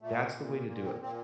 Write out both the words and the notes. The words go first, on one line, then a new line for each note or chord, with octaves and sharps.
that's the way to do it.
A#2 A3
A#2
A#2 A#3
C4
A#2 C4